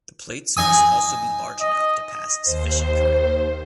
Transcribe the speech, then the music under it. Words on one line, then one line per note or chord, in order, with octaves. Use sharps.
The plates must also be large enough to pass sufficient current.
D#4 G#5 D#6
D#5
D#2 C5